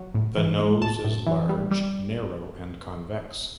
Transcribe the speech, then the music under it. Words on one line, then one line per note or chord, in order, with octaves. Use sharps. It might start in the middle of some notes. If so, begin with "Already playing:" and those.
The nose is large, narrow and convex.
Already playing: F#3
A2
E3
G#3
A2 A5
A2
E3
G3
G3